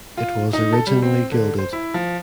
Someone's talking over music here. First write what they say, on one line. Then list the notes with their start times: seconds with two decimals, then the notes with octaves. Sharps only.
It was originally gilded.
0.17 F4
0.53 D#4
0.73 A4
0.87 G3
1.02 C4
1.32 D3
1.58 C5
1.73 E4
1.94 F3